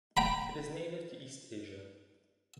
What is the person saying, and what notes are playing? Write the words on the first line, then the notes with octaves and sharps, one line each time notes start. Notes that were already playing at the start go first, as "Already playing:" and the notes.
It is native to East Asia.
G5 A#5 B5